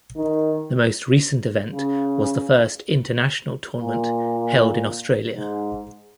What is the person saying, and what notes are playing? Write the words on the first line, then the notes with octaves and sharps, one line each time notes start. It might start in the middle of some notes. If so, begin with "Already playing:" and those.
The most recent event was the first International tournament held in Australia.
D#3
C#3
A#2
G#2